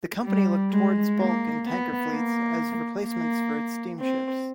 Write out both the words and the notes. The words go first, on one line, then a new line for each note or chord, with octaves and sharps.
The company looked towards bulk and tanker fleets as replacements for its steamships.
G3
G#3
A#3
B3
A#3
A#3
C4